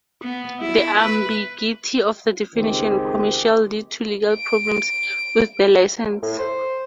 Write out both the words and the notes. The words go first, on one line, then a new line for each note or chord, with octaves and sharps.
The ambiguity of the definition "commercial" lead to legal problems with the license.
B3
E4
B4
C#2 D#3 C4 G4 G#4
D7
A2
C5